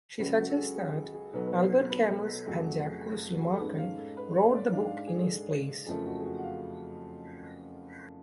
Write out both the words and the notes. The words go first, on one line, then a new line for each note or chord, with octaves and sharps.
She suggests that Albert Camus and Jacques Lemarchand wrote the book in his place.
C#2 C#3 F#3 C#4 B4
F#4
A4
G#4
G#4
G#4
G#4
B1 B2 F#3 B3 A4
B4
C#5
B4
A4
A4
F2 C#3 F#3 A3 G#4
F#4
G#4
F#4
G#4
A4
G#2 G#3 C#4 B4
F5
A4
B4
C#5
D5
G#2 G#3 D4 F5
F5
G#4
A4
F#1 F2 C#3 F3 A3 G#4
F#4
G#4
F#4
F#5
F5